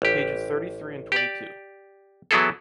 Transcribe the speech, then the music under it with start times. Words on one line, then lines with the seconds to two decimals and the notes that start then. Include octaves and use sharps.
Pages thirty-three and twenty-two.
0.02 A1 G4
1.12 G4 D5
2.31 E3 F#3 B3 E4 G#4 A4